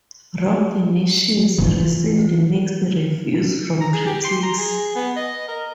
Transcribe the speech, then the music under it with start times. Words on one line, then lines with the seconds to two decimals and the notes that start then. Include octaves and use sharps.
"Rock the Nations" received mixed reviews from critics.
1.58 E3 F4
3.81 A#5
3.93 G#4
4.06 G4
4.25 C6
4.43 A#5
4.58 G#4
4.95 B3
5.16 D#5
5.48 A#4